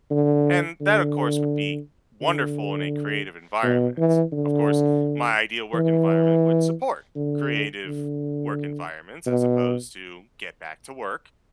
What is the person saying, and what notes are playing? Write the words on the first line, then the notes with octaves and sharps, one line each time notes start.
And that, of course, would be wonderful in a creative environment, of course, my ideal work environment would support creative work environments as opposed to "get back to work"
D3
D3
D3
B2
E3
D3
E3
D3
D3
B2